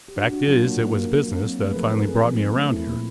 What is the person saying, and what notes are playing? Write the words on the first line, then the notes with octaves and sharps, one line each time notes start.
Fact is, it was business that finally brought me around here.
G4
D4 F#4
D4 F#4
F#3 F4
A#3 F#4
A#3
A#3
A#3
F#3
C4
A3
B4
F3 G#4 A#4
A3 A4 B4
C4 G#4 A#4
F3
C4
A3
E4
A#2